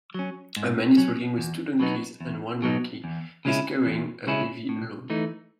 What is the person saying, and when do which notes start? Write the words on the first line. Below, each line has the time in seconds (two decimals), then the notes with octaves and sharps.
A man is walking with two donkeys and one donkey is carrying a heavy load.
0.14 F#3 C#4
0.56 G#2
0.97 F#3 C#4
1.38 E2
1.80 B2 F#3 B3 D#4
2.20 E2
2.62 B2 F#3 B3 D#4
3.04 E2
3.45 C#3 G#3 C#4 E4
3.86 E2
4.27 C#3 G#3 C#4 E4
4.69 A2
5.10 E3 A3 D#4